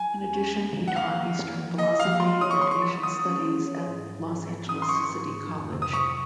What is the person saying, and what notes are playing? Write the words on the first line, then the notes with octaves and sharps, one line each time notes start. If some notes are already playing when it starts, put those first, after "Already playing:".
In addition, he taught Eastern Philosophy and Asian Studies at Los Angeles City College.
Already playing: F#3 G#5
D#2
C#4
A#3
F#2
F#5
F3 F5
A#3
F#2
F3
A#3 D#5
F3 F5
F#3 C6
C#5 D#6
C#6
C#5 C6
C#6
F#3
F#3 D#6
C#4
C#4
C#5
G#2
F#3
G#2
F#3
C#4 D#6
C6
F#3 C#6
G#2
G#2
F2
C3
D#6
F#3 C#6